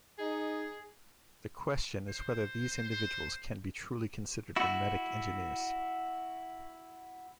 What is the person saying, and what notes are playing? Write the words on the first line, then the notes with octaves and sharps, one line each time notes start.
The question is whether these individuals can be truly considered memetic engineers.
D#4 G#4
C5
C5
E4 F#4